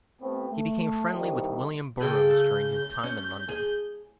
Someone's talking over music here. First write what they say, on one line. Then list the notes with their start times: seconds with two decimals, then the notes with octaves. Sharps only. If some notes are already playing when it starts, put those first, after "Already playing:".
He became friendly with William Burroughs during his time in London.
0.20 A1 A2 B3 C4
0.50 A3
1.12 C2 F2 A#2 D#3 E3 G3
2.00 C#3 G#4 A4 G5
2.33 G6
3.03 C#4
3.49 G#4